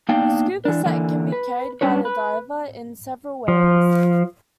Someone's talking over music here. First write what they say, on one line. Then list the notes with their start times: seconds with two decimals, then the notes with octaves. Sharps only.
The scuba set can be carried by the diver in several ways.
0.09 A#3 B3 D4 D#4 F5 G5
0.65 E3 D4
0.85 D3 E3 A#3
1.32 B4
1.81 G2 F3 C#4 D4 B4 C#5
2.05 B4
3.48 F3